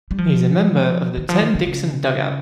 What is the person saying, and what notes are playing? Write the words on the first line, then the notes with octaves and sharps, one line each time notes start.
He is a member of the Tenn-Dixon Dugout.
G3
F3
D#3
F3
D#3
D#3
C#3